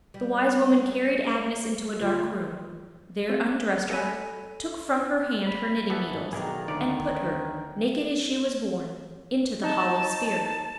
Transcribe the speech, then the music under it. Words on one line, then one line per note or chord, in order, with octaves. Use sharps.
The wise woman carried Agnes into a dark room, there undressed her, took from her hand her knitting-needles, and put her, naked as she was born, into the hollow sphere.
G3
D2 F4
C4
A4 D#5 F5 G#5 B5
B5
E3 B3 A4
G2
B1 D#3 G#4 D5 A#5
D2 D4 D#4 D5
D#4 A5